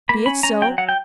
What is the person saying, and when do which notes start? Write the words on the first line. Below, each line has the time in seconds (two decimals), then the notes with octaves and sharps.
Be it so.
0.09 A#3 B5
0.26 C#4 B5
0.43 C#4 A#5
0.62 F#3 G5
0.78 F#3 F#5
0.89 G5